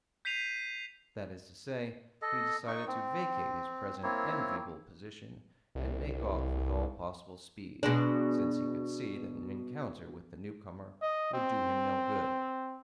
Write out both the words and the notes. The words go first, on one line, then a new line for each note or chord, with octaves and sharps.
That is to say, he decided to vacate his present enviable position and make off with all possible speed, since he could see that an encounter with the newcomer would do him no good.
G6 B6 C7 D#7 F7
A4 D#5
D#4 C#6
C4
A#3 C4 E4 C#5
C2
B2 G#3 D4
D#5
C4